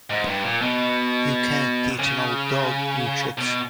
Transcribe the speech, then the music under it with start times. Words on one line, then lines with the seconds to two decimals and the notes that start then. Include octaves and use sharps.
You can't teach an old dog new tricks.
0.10 G#2
0.27 G2
0.44 A#2
0.61 B2
1.99 C#3
3.38 B2